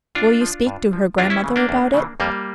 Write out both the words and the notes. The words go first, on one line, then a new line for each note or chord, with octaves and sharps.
Will you speak to her grandmother about it?
G2 D4 F4
F3
G2
F3
E2 D4 F4
C#4 E4
C#3 E3
A#3 D4
E2
C#3 E3
F2 G3 A#3